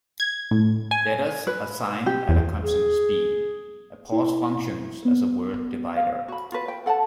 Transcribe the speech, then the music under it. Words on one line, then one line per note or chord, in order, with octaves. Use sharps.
Letters are signed at a constant speed; a pause functions as a word divider.
G#6
A2
G#5
B4
G4
E2
G#4
E4
B3
F5
F#4 B5
F4 F#4 B4
G5
A4 F#5 G5 A5